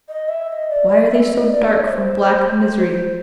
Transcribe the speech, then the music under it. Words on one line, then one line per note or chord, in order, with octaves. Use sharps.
Why are they so dark from black misery?
D#5
E5
E5
D#5
D5
D5
E5
D#5
D5
D5
C#5
C5
C5